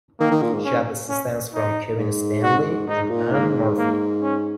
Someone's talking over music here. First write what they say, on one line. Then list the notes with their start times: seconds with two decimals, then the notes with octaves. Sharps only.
She had assistance from Kevin Standlee and Anne Murphy.
0.20 D#3 A#3
0.31 D#3
0.42 A#2
0.53 G#2
0.65 C#4
1.09 C#4
1.54 D#4
1.98 G#2
2.43 F#4
2.88 G#2 D#4
3.10 A#2
3.32 G#2 A#3
3.77 A#3
4.22 C#4